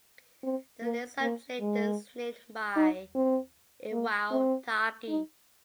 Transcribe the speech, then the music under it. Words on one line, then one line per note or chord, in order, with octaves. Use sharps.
The list of chitons named by Iwao Taki.
C4
A#3
A#3
G#3
D#4
C4
A#3
C4
D#4